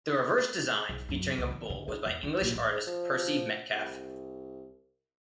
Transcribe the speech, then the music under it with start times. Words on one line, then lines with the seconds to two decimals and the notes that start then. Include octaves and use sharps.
The reverse design featuring a bull was by English artist Percy Metcalfe.
0.89 B1
1.09 F#2
1.38 C#2
1.51 E3
1.70 D3
1.88 D4
2.06 E2
2.23 F4
2.42 A#1
2.55 A1
2.87 F3
3.72 C2